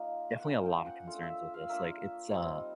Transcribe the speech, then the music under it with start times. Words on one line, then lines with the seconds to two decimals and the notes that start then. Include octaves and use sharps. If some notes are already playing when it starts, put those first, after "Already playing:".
definitely a lotta concerns with this, like, it's, uh,
Already playing: A#3 D#4 F4
0.39 F#5
0.45 A#3 C#4 F4 G5
0.66 G5
0.86 F#5
1.07 A3 D4 F4
1.23 E5
1.54 F5
1.69 A#3 D4 F4 E5
2.32 G3 C4 D#4